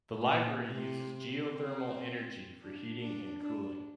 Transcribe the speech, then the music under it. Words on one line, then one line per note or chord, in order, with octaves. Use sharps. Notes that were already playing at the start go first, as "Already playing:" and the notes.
The library uses geothermal energy for heating and cooling.
A#2
C3
C4
D4
D4
D4